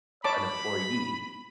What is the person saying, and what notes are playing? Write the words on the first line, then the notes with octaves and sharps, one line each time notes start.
an employee,
C#5 A5 B5 D6